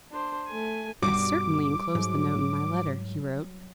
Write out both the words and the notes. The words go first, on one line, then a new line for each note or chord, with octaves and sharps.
"I certainly enclosed the note in my letter," he wrote.
D4 C5
A3 G#5
B1 G2 G3 F#4 D6
G#2 F#3